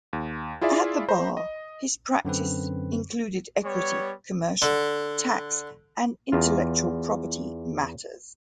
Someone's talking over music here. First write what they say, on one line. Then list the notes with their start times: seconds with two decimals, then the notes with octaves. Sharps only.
At the bar, his practice included equity, commercial, tax and intellectual property matters.
0.13 D#2
0.61 E4 F4 G#4 D5 E5
1.09 C5 A#5 B5
1.37 D#5
2.25 F#2 D3 C4 B4
3.65 G3 B3 C#5
4.62 D3
6.32 E2 F4